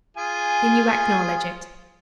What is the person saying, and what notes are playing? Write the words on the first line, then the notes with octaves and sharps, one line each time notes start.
"Then you acknowledge it?"
F4 G#4 G#5